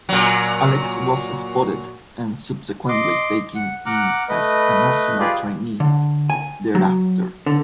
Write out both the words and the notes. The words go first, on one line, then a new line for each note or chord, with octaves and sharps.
Alex was spotted and subsequently taken in as an Arsenal trainee thereafter.
A#2 F#3
D#5 C6 D6
F#5
F#5 A#5 D6 F6 F#6
A3 B4 D#5
F4 G4 G#4 B4 D5
D3
G#5
F#3
D3